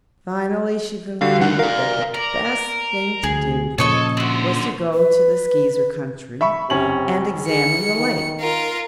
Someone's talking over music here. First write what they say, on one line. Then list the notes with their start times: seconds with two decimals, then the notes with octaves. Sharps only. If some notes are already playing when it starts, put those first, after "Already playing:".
Finally she concluded that the best thing to do was to go to the Skeezer country and examine the lake.
1.21 D3 G3 F#4 F5
1.41 D4 F#4 F#5
1.59 A#4 D5 F5
2.14 A#4 D5
3.23 D2 G#4
3.78 A#2 C#3 F3 A4 C#5 D#5 C#6
4.17 D3 C4 F#4 C5
4.94 B4
6.41 E5 B5 C#6
6.70 F#1 C3 C#4 F#7
7.48 G#4 C#7
7.96 D#3
8.40 F4 A#4